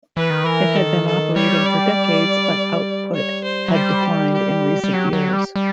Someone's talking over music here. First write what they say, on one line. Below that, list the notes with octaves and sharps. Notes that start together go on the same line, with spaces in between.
It had been operating for decades but output had declined in recent years.
E3 B4
D#3
E3 A#4
D#3 A4
A4
G3 C#5
D5
C#5
C5
F#3
G3 C5
G4
G4
G3
F#3
F#3
G3
G3